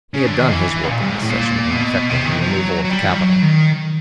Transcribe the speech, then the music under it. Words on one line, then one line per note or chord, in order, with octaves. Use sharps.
He had done his work at this session in effecting the removal of the capital.
C#3
D3
D#3
E3
A#2
G2
G#2
A2
A#2
B2
C3
D#3
E3
F3
F#3
F#3
G3
F3
F#3
D#3